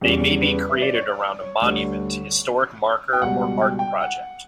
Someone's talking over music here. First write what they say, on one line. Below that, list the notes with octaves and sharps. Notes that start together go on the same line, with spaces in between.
They may be created around a monument, historic marker or art project.
E2 C#3 G3
B4
E5
D5
C#5
D5
C#5
D2 D3 G3
G5
C#2 B2 G3 F#5
G5
G5
F#5